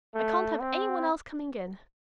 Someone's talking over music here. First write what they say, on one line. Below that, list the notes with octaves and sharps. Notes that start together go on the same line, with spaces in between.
I can't have any one else coming in.
A3
C4